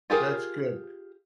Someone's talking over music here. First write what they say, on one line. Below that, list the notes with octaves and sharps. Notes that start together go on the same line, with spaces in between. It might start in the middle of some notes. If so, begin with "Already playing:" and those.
That's good.
F4 G4 G#4 A#4